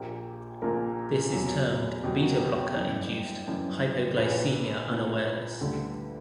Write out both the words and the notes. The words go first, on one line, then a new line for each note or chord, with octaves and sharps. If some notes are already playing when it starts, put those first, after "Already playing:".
This is termed beta blocker induced hypoglycemia unawareness.
Already playing: A#1 A#2 A#3 G4
A#1 A#2 A#3 A#4
E2 B2 F#3
E2 B2 F#3 G4
F#4
A#4
G4
G4
G1 F#2 E3
G1 F#2 E3
A#1 A#2 A#3 E4 B4
A#1 A#2 A#3 E4
D2 D3 G3